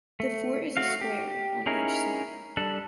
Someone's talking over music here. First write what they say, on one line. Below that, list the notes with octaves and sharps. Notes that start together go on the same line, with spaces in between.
The fort is a square, on each side.
A3
A3 F#4 F5
G4
C#4 D#4 E4 G#4 A#4
G3 D4 A4